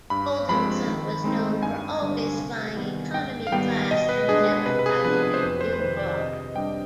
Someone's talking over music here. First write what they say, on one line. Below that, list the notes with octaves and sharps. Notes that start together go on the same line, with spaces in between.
Goldenson was known for always flying economy class and never driving a new car.
G2 B5
F3 G#3 C4 B5
D#3
G#3 C4 D#4
G2 G#5
D3 G3 D4
C3
D#3 G3 B3
G#2 G5
F5
D#3 G3 B3 G5
B2 D#5
B4
G#3 D4 G#4
G#4
C3 B4
B4
G#4
F3 B3 D4 B4
B4
C5
F2 B4
C5
B4
C3 D#3 C5
D5
C3 D#5
G3 D4 G5